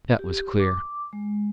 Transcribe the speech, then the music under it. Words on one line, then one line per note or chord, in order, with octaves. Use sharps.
That was clear.
G4
D6
G#3